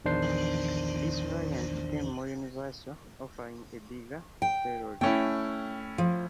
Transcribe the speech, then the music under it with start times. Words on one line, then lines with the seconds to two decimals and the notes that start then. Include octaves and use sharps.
This variant became more universal, offering a bigger payload.
0.04 A#1 E2 D#3 D4 C5 C7
4.42 G5
5.01 A3 C#4 E4 G5
5.98 F3